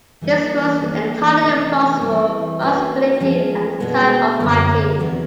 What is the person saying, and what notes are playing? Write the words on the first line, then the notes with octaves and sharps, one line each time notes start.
This was an entirely plausible possibility at the time of writing.
E3 G3 A#3 D#4
E3 G3 A#3 D4 G4
C3 E3 A3 C#4
E3 G3 C4
A#3 D#4 F#4 B4
F3 G#3 C#4
B2 G#3 B3 D4
F#2 D3 F#3
E2 C3 D#3 F#3 B3